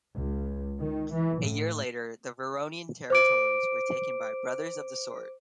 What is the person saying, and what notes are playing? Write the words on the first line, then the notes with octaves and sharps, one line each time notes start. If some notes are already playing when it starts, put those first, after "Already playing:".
A year later the Vironian territories were taken by Brothers of the Sword.
C#2
D#3
E3
A2
C5 D6 D7